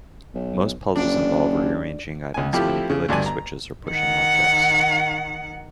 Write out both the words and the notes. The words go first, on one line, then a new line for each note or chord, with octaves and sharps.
Most puzzles involve rearranging items, manipulating switches, or pushing objects.
B1
F#1 D4
C#2 G#5
F3 A3 C4 E4 G4
C#3
D2 G2 D4 D5 G#5
A#5
D#3 F#5